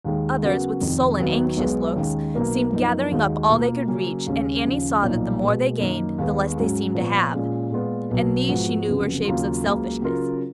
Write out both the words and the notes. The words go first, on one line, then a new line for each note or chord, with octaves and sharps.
Others, with sullen, anxious looks, seemed gathering up all they could reach, and Annie saw that the more they gained, the less they seemed to have; and these she knew were shapes of Selfishness.
D#2 D#3 G#3
C#3 F#3 B3 F#4 A#4
F1 F2 D#3
D#2 D#3 F#3 B3 D#4
B1 B2 G#3 B3
D#2 D#3 G#3 C#4
B1 B2 A#3 D#4 A#4
F#2 F3 B3 D#4 A#4
D#2 D#3 G#3 D#4 F#4
B2 A#3 F4 B4
C#3 F#3 A#3 C#4
D#2 C#3 G#3 C#4
D#2 C#3 F3
B1 A#2 F3 A#3 D#4
B2 G#3 B3
F#2 D#3 A#3 D#4
D#2 D#3 G#3 B3
G#2 F#3 C#4
A#2 F3 B3
A#2 G#3 C#4
A#2 G#3 B3 F4
B1 B2 F#3
G#2 F3 B3 F#4
F1 F2 C#3 F#3 B3
D#2 C#3 F#3 A#3 F4
C#2 C#3 F#3 A#3
C#3 F#3 C#4 F4 A#4